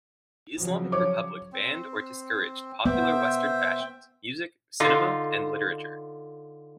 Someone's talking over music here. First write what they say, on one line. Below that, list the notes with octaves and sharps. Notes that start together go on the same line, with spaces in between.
The Islamic Republic banned or discouraged popular Western fashions, music, cinema, and literature.
C#3 F3 F#3
C#5 D6
C4
B3 C5 E5 G5
D3 D#4 F4